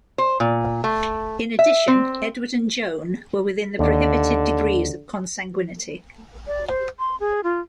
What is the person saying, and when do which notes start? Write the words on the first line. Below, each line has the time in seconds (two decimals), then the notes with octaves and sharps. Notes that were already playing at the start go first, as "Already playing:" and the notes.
In addition, Edward and Joan were within the prohibited degrees of consanguinity.
0.18 C5
0.40 A#2
0.84 A3
1.59 E5
1.88 C4
3.79 D#2 D3 D5
6.47 D5
6.68 C5
6.99 C6
7.20 G#4
7.44 F4